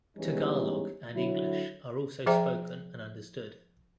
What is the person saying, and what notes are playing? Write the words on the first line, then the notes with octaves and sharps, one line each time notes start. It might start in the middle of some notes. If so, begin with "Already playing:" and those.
Tagalog and English are also spoken and understood.
E3 G3 G#3 B3 C#4 D#4
D3 F#3 E4
F3 G#4 C5 E5 G5 A#5